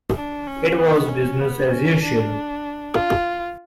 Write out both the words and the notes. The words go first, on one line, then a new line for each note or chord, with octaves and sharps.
It was business as usual.
D4
C#4
B3
C#4
B3
C#4
D4
F4